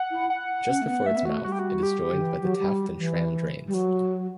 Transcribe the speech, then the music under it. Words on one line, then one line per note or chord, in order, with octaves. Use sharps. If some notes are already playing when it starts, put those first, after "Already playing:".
Just before its mouth, it is joined by the Taft and Schram drains.
Already playing: F#5
E4
F#5
C#4
A3
B3
A3 E5
B3
A3 F#4
G3 F#4
G4
F#4
G4
D3
E3
F#3
G3
E3
G3
F#3